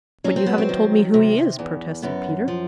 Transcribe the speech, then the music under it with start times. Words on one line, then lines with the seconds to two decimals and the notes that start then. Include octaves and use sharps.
"But you haven't told me who he is," protested Peter.
0.24 F#3 C#4
0.36 C4
0.46 B3
0.58 C4
0.69 D#3
1.14 C3
1.59 E2
2.02 F#2 B3
2.48 F3